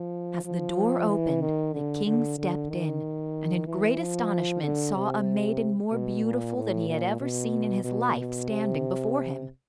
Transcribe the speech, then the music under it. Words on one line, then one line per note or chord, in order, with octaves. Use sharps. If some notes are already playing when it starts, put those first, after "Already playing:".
As the door opened, the king stepped in, and in great astonishment saw a maiden more beautiful than he had ever seen in his life standing before him.
Already playing: F3
F3
E3
D#3
D3
D3
D3
D#3
E3
F3
D3
C3
B2
A#2
A2
A#2
B2
B2
B2
C3